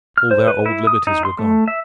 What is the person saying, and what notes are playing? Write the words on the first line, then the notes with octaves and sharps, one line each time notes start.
All their old liberties were gone.
F6
C5
B4
E4
D#6
D#4
C6
A3
E5